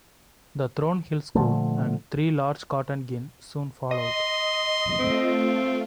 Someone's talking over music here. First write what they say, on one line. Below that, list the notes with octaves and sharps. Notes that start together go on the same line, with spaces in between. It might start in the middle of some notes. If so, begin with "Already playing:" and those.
The Thorn Hill School and three large cotton gins soon followed.
A#2 D3 F3 A3
D#5 C6
A3 C4 F4